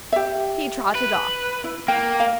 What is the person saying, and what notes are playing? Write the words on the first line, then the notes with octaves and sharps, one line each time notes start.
He trotted off.
G4 E5
B4
E4
A#3 G5
F5